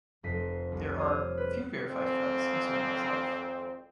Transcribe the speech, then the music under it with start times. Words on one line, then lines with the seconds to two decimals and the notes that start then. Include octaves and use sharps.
There are few verified facts concerning his life.
0.23 F1 F2 D#5 G6 B6 C7
0.72 C2
0.97 C5 C#5 D#6 F6
1.37 B4
1.88 G#1 F2 C4